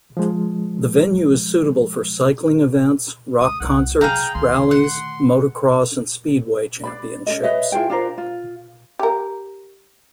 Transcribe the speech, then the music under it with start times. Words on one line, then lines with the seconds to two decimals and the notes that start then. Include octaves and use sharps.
The venue is suitable for cycling events, rock concerts, rallies, motocross and speedway championships.
0.17 F3 G#3
3.40 C#2 D#6
3.60 C2 B3 F#5
4.01 C3 F#3 G#4 F5 G5 A#5
4.35 D2 D#3 C6
4.71 F#5
6.84 D4 D5 B5
7.26 C#4 D#4 A4 D#5
7.43 B4 C#5 D#5 E5
7.72 E4 F4 G#4 G5
7.90 D4 F4 A#4 C5
8.18 F4
8.99 G4 A#4